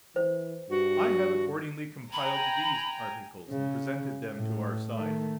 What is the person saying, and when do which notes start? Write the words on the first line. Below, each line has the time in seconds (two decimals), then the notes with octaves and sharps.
I have accordingly compiled these articles and presented them to our side.
0.16 E3 C5
0.70 G2 F#4
2.13 G5 G#5 A#5 B5
3.50 C#3
4.35 A2
4.95 D#3 A3